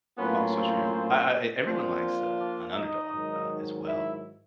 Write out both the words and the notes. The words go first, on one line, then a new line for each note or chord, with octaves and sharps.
Also true I I, everyone likes a an underdog, uh, as well,
A2 F#3 A#3 B3 C#4 F4 B4
C4 C5
F3 A#3 C4 D4 F4 C5
D4 D5
D#4 D#5
G#2 D#3 F#3
E4 E5